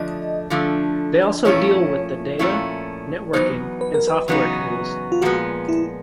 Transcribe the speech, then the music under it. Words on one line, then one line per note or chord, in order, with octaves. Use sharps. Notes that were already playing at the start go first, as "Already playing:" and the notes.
They also deal with the data, networking and software tools.
Already playing: D3 F3 A3 D4 D#5
D3 F3 A3 D4
A#2 F3 A3 C#4 E4 C#5
A#2 F3 A3 C#4 E4
E2 C#3 F#3 B3 D#4 C5
B4
A#4
B4
E2 C#3 F#3 B3 D#4
F4
A#2 F3 G#3 B3 F#4
E4